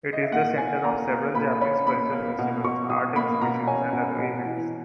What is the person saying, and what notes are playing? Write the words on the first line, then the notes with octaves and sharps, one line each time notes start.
It is the center of several Japanese cultural festivals, art exhibitions, and other events.
D#5
E5
A#2 F#5
A#3 G#5
A#3 A#5
A#3
A#2 B5
C#4 B5
A#3 B5
A#3
B2
B2 C#6
B2 D#6
A#3 B5
B2 A#5
C#4 G#5
B2
B2
E3